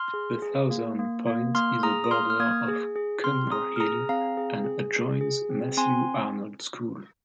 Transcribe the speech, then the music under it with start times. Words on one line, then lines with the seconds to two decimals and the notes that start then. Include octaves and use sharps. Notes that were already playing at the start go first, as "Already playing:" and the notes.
The southern point is a border of Cumnor Hill and adjoins Matthew Arnold School.
Already playing: C6 F6
0.14 G#4
0.42 G#4
0.71 A#3
0.99 A#3
1.27 A#3
1.55 A#3 C6 F6
1.83 G#4 A#5 D#6
2.04 D#6
2.11 A#3 C6 F6
2.30 F6
2.40 A#3 D#6 G#6
2.68 G#4
2.96 G#4
3.24 C4 C6 F6
3.52 G#4 A#5 D#6
3.76 F6
3.80 G#4 A#5 D#6
4.09 C4 F5 A#5
4.37 G#4
4.64 G#4
4.92 G#4
5.21 G#4
5.50 C4
5.77 C4 G#5 C6